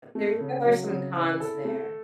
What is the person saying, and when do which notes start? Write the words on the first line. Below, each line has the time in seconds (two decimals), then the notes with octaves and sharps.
there there are some cons there.
0.15 A3
0.40 C#3
0.65 F#3
0.91 C#3
1.16 E4
1.40 A4
1.65 A3